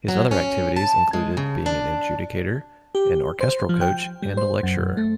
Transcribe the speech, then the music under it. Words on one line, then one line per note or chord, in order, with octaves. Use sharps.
His other activities included being an adjudicator, an orchestral coach and a lecturer.
F#3
C#4
A5
G#3
C#3
D4
G4
C5
F3
G5
G3
C5
F#2
A3